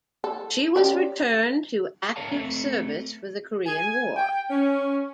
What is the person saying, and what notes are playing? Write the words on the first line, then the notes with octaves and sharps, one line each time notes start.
She was returned to active service for the Korean War.
A4
C#4 G4 D5
A4 A#4 C#5 F5 A5
A3 C4 A4
G#5
G5
C#4